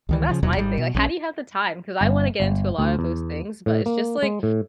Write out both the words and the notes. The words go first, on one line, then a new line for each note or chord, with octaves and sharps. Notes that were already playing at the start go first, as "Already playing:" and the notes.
Well, that's my thing. Like, how do you have the time? 'Cause I wanna get into a lot of those things, but it's just, like
C#2 D#3 E3
C#3 F3
D1 D#2 B2 F#3
G#1 G3
B2
A#1 E3 C#4
G1
G1
D2
E2
A2
A#3
G#3
A2